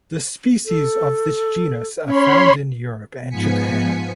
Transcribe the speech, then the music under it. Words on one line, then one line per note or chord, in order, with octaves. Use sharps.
The species of this genus are found in Europe and Japan.
A4
C#4 C#5 B5 C6
G#2 F3 B3 G#5 B6 C#7